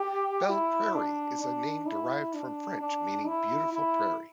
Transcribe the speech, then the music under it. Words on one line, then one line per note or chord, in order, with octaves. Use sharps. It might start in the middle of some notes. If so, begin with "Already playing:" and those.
Belle Prairie is a name derived from French meaning "beautiful prairie".
Already playing: G4
E4
D4
D4
E4
D4
D4
E4
E4